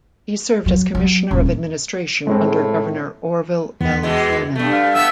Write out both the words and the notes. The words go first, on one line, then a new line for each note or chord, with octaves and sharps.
He served as commissioner of administration under Governor Orville L. Freeman.
F#3
F#3
D#1
A2 G#3 C4
E2 B3
B2 E3 G#3
G2 A3
F5
A3 B3 E5